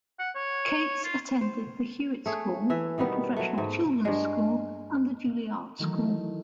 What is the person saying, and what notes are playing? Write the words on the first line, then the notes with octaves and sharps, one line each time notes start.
Cates attended the Hewitt School, the Professional Children's School, and the Juilliard School.
F#5
C#5
F4
C5
A3 G#4 C#5
E3 E5
B2 D#3 G3 B3
F#3 A3
G#2 A3
G2 G#3
D#3 E3 F#3 A3